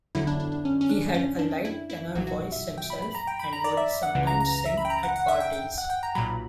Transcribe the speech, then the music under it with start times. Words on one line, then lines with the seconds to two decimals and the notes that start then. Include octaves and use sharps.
He had a light tenor voice himself and would sometimes sing at parties.
0.15 E2 D3 F#3 E4
0.27 D4
0.40 D4
0.52 D4
0.65 C#4
0.81 C#4
0.89 D4
1.14 C#4
1.39 D4
1.65 E4
1.90 E4
2.15 B1 A#2 F#3 F#4
2.27 F#4
2.52 E5
2.78 G5
2.90 B5
3.02 B5
3.15 A#5
3.27 G5
3.39 B5
3.53 A#5
3.64 D5
3.77 E5
4.03 F#5
4.15 C#2 C#3 E3
4.27 A#5
4.40 A#5
4.53 A#5
4.65 E5
4.77 B5
4.85 G5
4.90 A#5
5.03 F#5
5.16 F#5
5.28 E5
5.40 G5
5.53 G5
5.78 F#5
5.90 G5
6.03 A#5
6.15 B1 A#2 F#3 B5